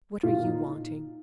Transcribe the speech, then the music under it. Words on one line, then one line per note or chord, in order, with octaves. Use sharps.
"What are you wanting?"
A#2 F4
D#4